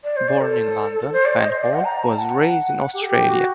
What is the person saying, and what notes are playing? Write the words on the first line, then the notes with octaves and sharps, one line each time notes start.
Born in London, Penhall was raised in Australia.
D5
C5
D5
A4
C5
D5
D#5
C5
D5
F#5
A#5
A5
F#5
G4
A4
G4
F#4